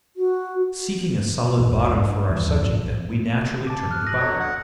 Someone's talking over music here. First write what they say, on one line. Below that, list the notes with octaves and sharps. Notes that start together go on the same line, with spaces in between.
In seeking a solid bottom for our subject, then, we naturally turn to Butler.
F#4
A#1 E2 A#2
G2
D#2 E3 F#3 G3
F#2 A2 F3
B1 A2
A5 D6
F6 F#6
D#6 F#6 A#6
D3 F#3 C#5
F#5